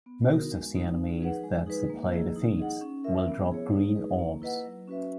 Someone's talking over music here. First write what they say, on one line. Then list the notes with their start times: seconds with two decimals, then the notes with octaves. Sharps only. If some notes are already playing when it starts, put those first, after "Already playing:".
Most of the enemies that the player defeats will drop green orbs.
0.06 B3
0.28 D#4 F#4 A#4
0.52 G#3
0.74 B3 D#4
0.98 D#4
1.20 G#4 B4 F#5
1.44 G#3
1.67 D#4 G#4 B4
1.90 A#3
2.12 E4 G#4 D#5
2.36 D#4
2.58 G#4 D#5 F#5
2.81 C#4
3.04 E4 A#4 E5
3.28 B3
3.49 E4 G#4 C#5
3.73 D#4
3.95 G#4 B4
4.19 A#3
4.42 E4 B4 D#5 F#5
4.65 F#3
4.87 C#4 F#4 B4 E5